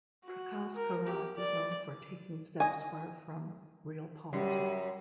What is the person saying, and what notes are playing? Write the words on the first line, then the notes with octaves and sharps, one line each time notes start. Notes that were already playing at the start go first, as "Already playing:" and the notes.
Prakas Karat is known for taking steps far from Realpolitik.
F#4
A#4
G4
D5
D#5 G#5
F#2 G3